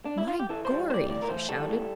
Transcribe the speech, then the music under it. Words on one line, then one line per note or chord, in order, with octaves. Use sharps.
"My gorry!" he shouted.
D4
E4
F4
G4
E3 A4
G3 C5
A2 C5 D5
A2 D5
A#4
E3 C5
G3 A4
A2